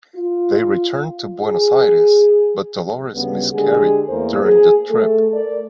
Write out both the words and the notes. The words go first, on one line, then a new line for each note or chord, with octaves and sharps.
They returned to Buenos Aires, but Dolores miscarried during the trip.
F4
G#4
D2 C#3 G3 B3
D3 G#3 G4 G#4
E2 A3 A#3 A#4 C5
G#4
A3 A4
A#4 D5